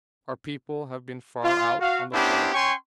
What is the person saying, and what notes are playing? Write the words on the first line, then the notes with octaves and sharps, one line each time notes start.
Our people have been far out on the floe.
F4
F#4 F5
B3 C#4 D4 E4 G4 C5
C#4 C#5 G5 G#5 C6 C#6